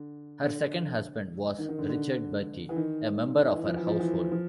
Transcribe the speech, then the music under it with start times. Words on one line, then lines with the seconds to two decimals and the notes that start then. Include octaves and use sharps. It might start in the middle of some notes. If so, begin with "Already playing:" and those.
Her second husband was Richard Bertie, a member of her household.
Already playing: D3
0.42 D3
1.58 D#3
1.69 D#3
1.79 D3
1.89 D3
2.69 E3
2.76 D#3
3.54 E3
3.65 F3
3.76 E3
3.87 F3
3.99 E3
4.32 F3